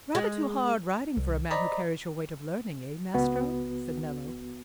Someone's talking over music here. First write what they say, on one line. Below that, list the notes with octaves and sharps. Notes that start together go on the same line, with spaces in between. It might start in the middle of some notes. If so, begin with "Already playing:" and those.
"Rather too hard riding for a man who carries your weight of learning: eh, Maestro?" said Nello.
G#3
C2
C5 D5 D#5 A#5 B5
C#2 B3 F#4